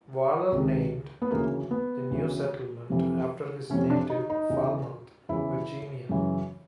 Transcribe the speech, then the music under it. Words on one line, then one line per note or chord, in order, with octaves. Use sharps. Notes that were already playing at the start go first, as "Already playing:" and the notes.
Waller named the new settlement after his native Falmouth, Virginia.
C#2 C3 D#3
B3
D2 C#3 E3 A#3
B3
D2 C#3 E3
F2 C3 E3
F2 C3 E3 C#4
D4
D#4
D#4
E2 C#3 E3
E2 C#3 E3 E4
F#2 C#3 E3